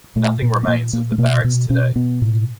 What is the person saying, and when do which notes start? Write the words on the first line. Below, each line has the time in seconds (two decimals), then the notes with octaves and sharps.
Nothing remains of the barracks today.
0.16 A#2 A3
0.42 A#2
0.63 B3
0.67 A#2 A#3
0.93 A#2 A#3
1.12 A3
1.18 B2 A#3
1.44 B2 B3
1.70 B2 C#4
1.96 B2 B3
2.22 A2